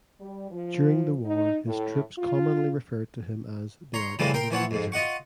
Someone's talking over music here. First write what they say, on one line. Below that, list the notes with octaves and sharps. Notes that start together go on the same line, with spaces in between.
During the war his troops commonly referred to him as "the artillery wizard".
G3
F3
D#4
A2
F4
C#5 A#5 C6
A2 C#3 E3 F3 G3 G#3
A#4 G5 C6
E3 F3 C#5 F#5
F2 G#2
F4 D#5 F#5 C#6